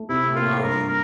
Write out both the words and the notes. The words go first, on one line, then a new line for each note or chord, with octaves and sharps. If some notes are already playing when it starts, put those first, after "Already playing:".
Oh, wow.
Already playing: A3
C3 E4
A#3 F4
G2 A#4
A3 A#4